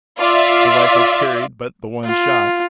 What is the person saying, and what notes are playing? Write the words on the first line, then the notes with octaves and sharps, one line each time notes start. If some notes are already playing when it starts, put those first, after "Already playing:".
The rifle carried but the one shot.
F4 D5 E5
F4